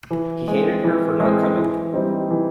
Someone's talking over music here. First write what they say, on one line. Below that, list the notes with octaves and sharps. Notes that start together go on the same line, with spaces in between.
He hated her for not coming.
E3
G#3 C4
E3
G#3 C4
E3
G3 C4 D#4
E3